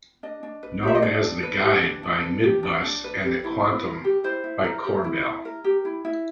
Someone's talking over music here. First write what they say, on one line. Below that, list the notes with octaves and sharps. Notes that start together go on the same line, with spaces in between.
Known as the Guide by Midbus and the Quantam by Corbeil.
D4 D#5
D4
B4
G4 E5
D#5
D4 D5
D4
B4
G4
D4
D4
B4
G4
D4
D4
B4
G4
E4
E4
A#4
G4
E4 C5
E4
A#4
G4
E4
E4
A#4
G4
E4
E4